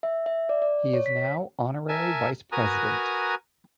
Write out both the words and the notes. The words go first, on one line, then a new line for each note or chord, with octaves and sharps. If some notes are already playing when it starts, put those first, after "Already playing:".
He is now Honorary Vice-President.
E5
E5
D5
D5
C#5
B6
A#4 E5 G#5 A5
F#4 A#4 B4 G#5 A#5 D#6